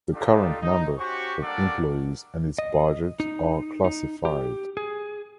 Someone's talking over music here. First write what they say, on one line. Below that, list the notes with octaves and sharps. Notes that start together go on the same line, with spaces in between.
The current number of employees and its budget are classified.
D4 D#4 F4 G4 A4
D#4
C#4 F#4 G4 C5 C#6
G3 A#3 D4 A4 D5 F#5
D#5
D#4
D#4
G4
G#4